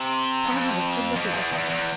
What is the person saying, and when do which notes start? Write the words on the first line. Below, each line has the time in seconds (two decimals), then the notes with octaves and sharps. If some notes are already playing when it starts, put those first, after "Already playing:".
"Come and have a good look at yourself."
Already playing: C3
0.45 F2
1.16 F2
1.34 E2
1.52 E2
1.70 E2